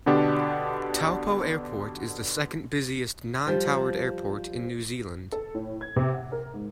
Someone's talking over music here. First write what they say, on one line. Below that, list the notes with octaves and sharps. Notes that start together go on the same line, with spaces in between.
Taupo Airport is the second-busiest non-towered airport in New Zealand.
B2 D3 B3 D4 G4
F3 G3
A4
A2
G#6
C3
F#5
A#4
G#2